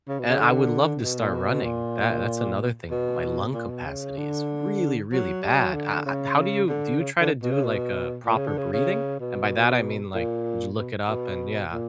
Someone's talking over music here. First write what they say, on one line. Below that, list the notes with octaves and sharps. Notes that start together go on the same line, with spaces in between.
And I would love to start running. That that's another thing. My lung capacity is really, really bad. I I how do you do you try to do like a proper breathing? And by that I mean like, did you look it up and yeah.
C#3
B2
C#3
D3
B2
A#2
B2
A#2
B2
A#2
B2
C#3
D3
F#3
G3
F#3
D3
C#3
D3
C#3
D3
B2
C#3
B2
A#2
C#3
D3
C#3
C#3
B2
A#2
B2
B2
A#2